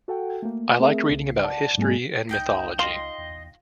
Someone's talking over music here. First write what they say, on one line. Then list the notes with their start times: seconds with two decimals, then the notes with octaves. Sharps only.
I like reading about history and mythology.
0.08 F#4 A4 F#5 G5
0.42 A3 A#3
0.79 A3 C4 G#4 A#4 E5
1.09 C2 C#3
1.42 D5 F#5 A5
1.77 G#2 G3 A3 B3 G#4 G#5
2.29 C#2 D#4 G5 G6
2.79 F4 D#5 C6
3.18 E2